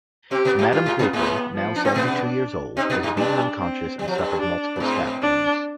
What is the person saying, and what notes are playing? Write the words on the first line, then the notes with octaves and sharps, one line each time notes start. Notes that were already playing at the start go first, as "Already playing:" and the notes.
Madame Groupil, now seventy-two years old, was beaten unconscious and suffered multiple stab wounds.
C3 C4 G4
B2 B3
G#2 G#3
G2 G3 F4
G#2 G#3
B2 B3
G#2 G#3 B3
F3
D4
C4
B2 B3 D4
C3 C4 D#4
B2 B3
G#2 G#3
G2 G3 D4
C4
G3
F3
G2 G3
D4
B3
G#2 G#3 C4
D4